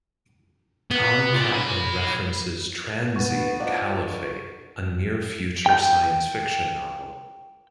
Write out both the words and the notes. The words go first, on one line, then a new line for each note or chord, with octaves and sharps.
Tom Kratman references tranzi in "Caliphate", a near future science fiction novel.
B3
F4 D5
C#5 B5
A2 B3 C#6 A6
F3 D4 D#4 F5 F#5
F#2
G5 G6